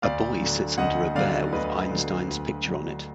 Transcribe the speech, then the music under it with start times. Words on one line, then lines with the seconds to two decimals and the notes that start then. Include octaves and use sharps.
A boy sits under a bear with Einstein 's picture on it.
0.02 D2 D5 F5
0.41 D3 F#3
0.78 D2 D#5 F#5
1.15 D3 F#3 D5 F5
1.53 D2 B4 D#5
1.91 D3 F#3
2.28 D2
2.66 D3 F#3